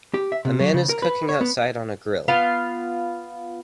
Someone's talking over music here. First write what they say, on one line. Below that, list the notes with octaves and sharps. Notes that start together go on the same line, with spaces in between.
A man is cooking outside on a grill.
G4
E5
C3
F#3
C#3
A#4
B4
C#5
B3
B3 F4 F5